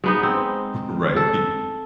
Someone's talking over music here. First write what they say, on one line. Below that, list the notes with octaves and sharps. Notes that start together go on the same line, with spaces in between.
Right, he
G#3 B3 D#4
C4
A4